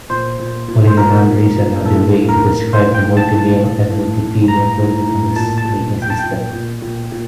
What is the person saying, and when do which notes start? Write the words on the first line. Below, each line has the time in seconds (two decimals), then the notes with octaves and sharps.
Polygynandry is another way to describe a multi-male and multi-female polygamous mating system.
0.10 A#2 C5
0.39 A#2
0.68 A#2
0.87 C5
0.98 A#2 A#4
1.27 A#2
1.56 A#2
1.85 A2 A4
2.15 A2
2.29 A#4
2.44 A2
2.73 A2 C5
2.95 G5
3.02 A2
3.17 A5
3.32 A2
3.38 A5
3.61 A2
3.90 A2
4.19 A2
4.48 A2 A#5
4.78 A2
5.07 A2
5.36 A#2 A5
5.58 A5
5.65 A#2
5.94 A#2
6.02 G5
6.10 A5
6.19 A#2 G5
6.53 A#2
6.82 A#2
7.12 A#2